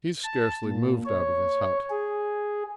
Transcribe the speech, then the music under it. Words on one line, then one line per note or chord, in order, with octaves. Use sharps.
He scarcely moved out of his hut.
A5
A#2
C#5
G#4